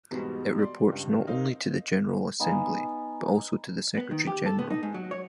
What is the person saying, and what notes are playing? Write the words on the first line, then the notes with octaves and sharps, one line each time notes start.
It reports not only to the General Assembly, but also to the Secretary-General.
E2 G#2 B2 G3 B3 F#4
D5 C6
C#2 G2
C4 D#4 A#4 D#5 F5
B3 D#4 F5 G#5
B3
D#3
G4
A4
B3
D#4
G#2
F#3
C#5